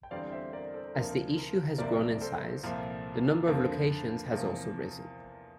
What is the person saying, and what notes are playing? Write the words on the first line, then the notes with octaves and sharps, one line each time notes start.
As the issue has grown in size, the number of locations has also risen.
G5
E2 D3 G3 C4 D5 F5
C5 E5
A#4 D5
A4 C5
D2 C3 F3 A#3 A#4
A#4
C2 C3 F3 A#3 A#4 D5
A4 C5
C2 A#2 F3
F2 D3 F3 A#3
E2 C3 F3 A#3